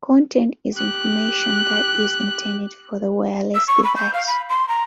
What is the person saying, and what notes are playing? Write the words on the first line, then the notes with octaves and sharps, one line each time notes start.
Content is information that is intended for the wireless device.
G4 F#6
E6
C#6
B5
G6
F5
B5
C6
A#5